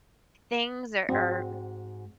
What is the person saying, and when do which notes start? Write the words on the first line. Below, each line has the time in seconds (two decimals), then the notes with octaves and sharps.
things or or,
1.09 G#2 C4 F#4